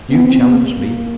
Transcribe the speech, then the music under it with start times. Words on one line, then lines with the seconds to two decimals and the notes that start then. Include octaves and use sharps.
You challenged me.
0.09 B3
0.24 C4
0.38 B3
0.50 B3
0.54 A#3
0.68 A#3